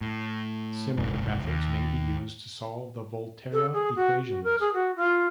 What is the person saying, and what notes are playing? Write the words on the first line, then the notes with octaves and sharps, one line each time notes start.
Similar methods may be used to solve the Volterra equations.
A2
F#1 C2 G#2
D#2
A4
G#4
F#4
F#4
A#4
G#4
F#4
F4